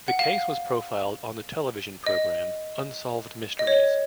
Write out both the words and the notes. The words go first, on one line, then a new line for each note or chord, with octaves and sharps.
The case was profiled on the television program "Unsolved Mysteries".
F#5
F5
D#5
D#5
C#5